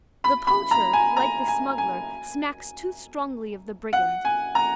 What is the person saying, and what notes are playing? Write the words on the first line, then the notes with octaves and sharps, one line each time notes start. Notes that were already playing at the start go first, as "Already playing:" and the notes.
The poacher, like the smuggler, smacks too strongly of the brigand.
B5
B5
A#5
G#5
A#5
G#5
G#5
F#5
G#5
A#5